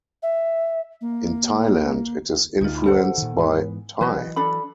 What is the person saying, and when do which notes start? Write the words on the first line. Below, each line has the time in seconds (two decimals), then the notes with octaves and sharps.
In Thailand, it is influenced by Thai.
0.23 E5
1.01 A#3
2.61 D2 D#4 F4
2.86 A4 C5 F#5
3.18 A#2 D#3
3.38 G#2 E3 B3
4.01 E3 F#3 B4 C#5 D#5
4.36 D4 A4 B5